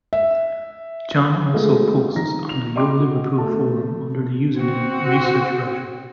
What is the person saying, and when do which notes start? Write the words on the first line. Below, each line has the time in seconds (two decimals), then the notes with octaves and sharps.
John also posts on the YoLiverpool forum under the username ResearchWriter.
0.13 E5
1.54 G#3 A3 B3 F4
2.15 D#3 F3 A#5 A#6
2.49 F7
2.76 D5 D#5 G5 C6 D6
3.00 F#4
3.38 A3 A5
4.58 C4 F#4